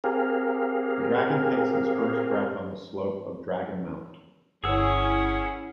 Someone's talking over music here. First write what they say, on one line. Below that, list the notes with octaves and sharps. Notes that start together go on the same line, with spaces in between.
The Dragon takes his first breath on the slope of Dragonmount!
C4 G4 G#4 A#4 F5
G1 C#4 E4 G#4 F#5 E6